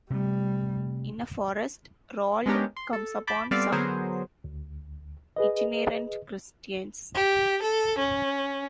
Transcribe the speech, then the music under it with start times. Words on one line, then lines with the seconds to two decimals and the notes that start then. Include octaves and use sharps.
In a forest, Rual'd comes upon some itinerant Christians.
0.10 C3 G3 A3
2.46 G#3 B3 C#4 D4 G4 A#4
2.77 C6
2.93 A4
3.27 A5 B5 D6 G6 B6
3.51 G3 B3 C4 A4 D5 F5
3.72 D3 F#3 B3 G#4 A#4 C5
4.44 D2
5.36 G#4 B4 D#5
7.15 G4
7.62 A4
7.98 C#4